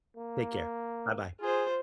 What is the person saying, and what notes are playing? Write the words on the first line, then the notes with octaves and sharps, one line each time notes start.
Take care. Buh-bye.
A#3
F4 G#4 C5